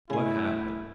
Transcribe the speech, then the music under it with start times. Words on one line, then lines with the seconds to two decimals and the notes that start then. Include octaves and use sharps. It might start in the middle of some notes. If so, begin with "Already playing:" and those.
"What happened?"
0.10 A2 C#3 E4 G#4